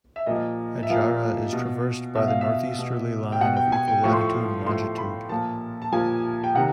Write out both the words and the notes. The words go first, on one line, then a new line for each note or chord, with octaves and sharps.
Adjara is traversed by the northeasterly line of equal latitude and longitude.
E5
A#2 F3 D#5
E5
A#2 F3 F5
B2
B2 E5
F5
E5
B2
G5
B2 F#5
G5
G#5
G5
A2 F3 C#6
C6
C#6
A2 F3 C6
B5
A#2 F3 A5
A5
A#2 F3 G#5
G5
C3 D#3 F#5